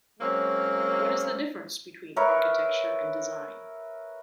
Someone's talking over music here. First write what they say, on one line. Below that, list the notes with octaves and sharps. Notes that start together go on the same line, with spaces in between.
What is the difference between architecture and design?
F#3 G#3 A#3 C4 C#4
A#4 B4 C#5 E5